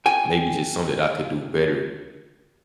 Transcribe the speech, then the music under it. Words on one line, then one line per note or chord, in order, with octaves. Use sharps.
maybe just something that I could do better.
G5 G#5